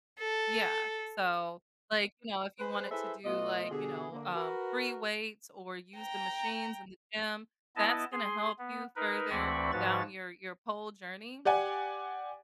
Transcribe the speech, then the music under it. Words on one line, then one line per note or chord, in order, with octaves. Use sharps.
Yeah. So, like, you know, if you wanted to do, like, you know, uh, free weights or use the machines in the gym, that's gonna help you further down your your pole journey.
A4
G#3 B4 C5
E4 G#4 A4 B4 C5 E5
B2 A3 B3 F4 D#5
B2 D3 G4 G#4
D3 A#3
F#4 A#4 B4
G5 A#5
B3 E4 D#5 A5
G#4 C6
B3
D#4 A#4 B4
D2 E3 C4 D5 B5 C#6
G#2 F3 F#4 B4 C#5 A6
G4 D5 F#5 G#5